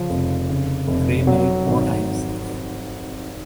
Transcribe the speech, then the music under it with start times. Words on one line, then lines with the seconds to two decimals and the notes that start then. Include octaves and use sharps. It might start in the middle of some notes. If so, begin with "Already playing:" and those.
Grey married four times.
Already playing: C#3 F3
0.10 F1
0.49 C#3
0.87 F1
1.27 F#3
1.66 G#1